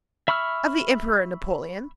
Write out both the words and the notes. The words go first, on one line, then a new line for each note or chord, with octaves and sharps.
Of the Emperor Napoleon?
E5 B5 C#6 E6 F6